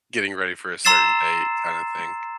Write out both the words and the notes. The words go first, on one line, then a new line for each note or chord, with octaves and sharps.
getting ready for a certain date kinda thing.
A#5 C6 E6 A6 C7 E7